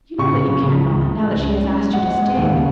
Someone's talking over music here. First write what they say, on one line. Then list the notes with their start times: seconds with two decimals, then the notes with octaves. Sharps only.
"You know that you cannot, now that she has asked you to stay."
0.18 C#3 C#6
0.33 C#3
0.48 C#3
0.62 C#3
0.76 C#2
0.92 C#2
1.06 C#2
1.21 C#2
1.35 C#4
1.50 G#3
1.64 C#4
1.78 G#3
1.93 G#3 F#5
2.07 G#3
2.22 G#3
2.36 D#2
2.51 C#3